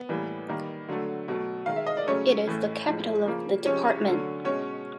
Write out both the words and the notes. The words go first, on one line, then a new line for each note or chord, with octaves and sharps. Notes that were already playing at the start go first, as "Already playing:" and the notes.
It is the capital of the department.
Already playing: B3
A2 E3 G3 A#3
D#3 G3 A#3
D3 F#3 A3
B2 F#3 A3
D#3 G#3 F5
E5
D#5
D5
C#3 F#3 A3 C#4 C#5
A2 E3 A3
A2 F3 G#3
C#3 F3 A#3
C3 F3 G#3 C#4 C#5
D3 F#3 A3
B2 G#3 C#4 C#5